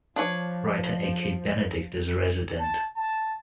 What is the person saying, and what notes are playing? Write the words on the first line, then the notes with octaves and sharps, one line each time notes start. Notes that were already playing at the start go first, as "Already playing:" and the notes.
Writer A. K. Benedict is a resident.
F3 D4 B4 C#5
A5
A5